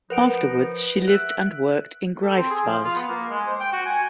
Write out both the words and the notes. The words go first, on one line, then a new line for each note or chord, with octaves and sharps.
Afterwards she lived and worked in Greifswald.
F3 D#4 A#4 B4 F#5 D7
E5 F#6
A4
C4
G#4
F3
F4
B3
A#3
G#3
C5
G5
F#4
G#5